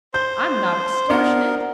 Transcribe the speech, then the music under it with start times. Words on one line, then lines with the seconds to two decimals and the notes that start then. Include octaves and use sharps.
I'm not extortionate.
0.14 C5 G6
1.10 B3 D4 A#4